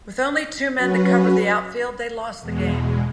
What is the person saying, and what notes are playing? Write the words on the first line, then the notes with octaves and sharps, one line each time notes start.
With only two men to cover the outfield, they lost the game.
F#3 C#4 F#4 B4
E2 B2 G#3